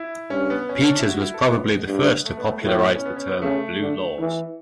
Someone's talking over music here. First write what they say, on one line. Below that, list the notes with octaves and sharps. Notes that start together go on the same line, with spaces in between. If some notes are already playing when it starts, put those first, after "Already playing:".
Peters was probably the first to popularize the term "blue laws".
Already playing: E4
G2 C#4
B3
C#4
C#4
D4
E4
F#4
E4
A4
A2 B3
G2
A3
B3
A3
A2 B3
C#4
B3
C#4
B3
C#4
B3
C#3 A3
D3
E3